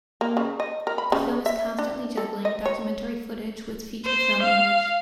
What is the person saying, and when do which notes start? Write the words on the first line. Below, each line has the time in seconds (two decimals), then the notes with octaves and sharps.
The film is constantly juggling documentary footage with feature film image.
0.21 A#3
0.37 C#3
0.60 D#5
0.87 A#4
0.98 B5
1.12 C#3
1.46 E5
1.79 D4
2.17 A4
2.45 D#5
2.65 C#5
4.05 C5
4.42 F5